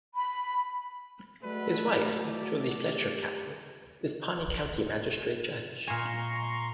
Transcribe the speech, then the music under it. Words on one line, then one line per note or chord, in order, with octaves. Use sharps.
His wife Julie Fletcher Cowell is Pawnee County magistrate judge.
B5
F#3 G#3 A3 F#4 B4 D5
E4
E4 D5
G4
A#2 G#5 A#5 C6 C#6